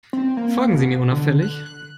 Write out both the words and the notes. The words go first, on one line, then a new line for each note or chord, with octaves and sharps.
Folgen Sie mir unauffällig.
C4
A#3
B2
D3
F#6
F#6